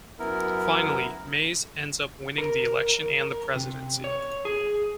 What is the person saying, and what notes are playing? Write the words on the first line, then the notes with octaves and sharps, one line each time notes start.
Finally, Mays ends up winning the election and the presidency.
F#2 B3 E4 A#4
A#4
C3
C#5
G#4